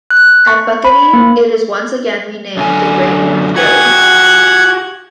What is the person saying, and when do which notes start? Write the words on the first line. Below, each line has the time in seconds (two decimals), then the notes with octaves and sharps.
At Bucketty, it is once again renamed the Great North Road.
0.10 F#6
0.47 C#6
0.84 B5
1.13 A#3
2.57 F#2 D3 G#5
3.56 F#4 G4 F#5 G#5 G#6